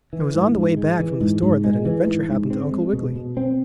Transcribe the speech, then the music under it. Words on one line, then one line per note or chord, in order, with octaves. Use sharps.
It was on the way back from the store that an adventure happened to Uncle Wiggily.
E3
G#2
G#2
G#3
E3
G#2
G#2
G#3
E3
G#2
G#2
C4
G#3
B2
B2
C4